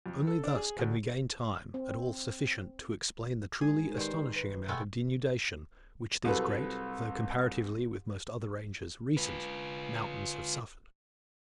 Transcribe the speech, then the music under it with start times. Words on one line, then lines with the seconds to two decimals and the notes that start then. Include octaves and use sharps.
Only thus can we gain time, at all sufficient to explain the truly astonishing amount of denudation, which these great, though comparatively with most other ranges recent, mountains have suffered.
0.06 F2
0.27 A4
0.44 D4
0.56 G#4
0.79 D2
1.74 C4
3.61 G#2 G#4
3.97 D#3 G4 B4 C5 D5
4.36 B4
4.68 B2 G#3 A3 B3 G5
6.24 C2 F#3 A4 B4
9.17 F4 B4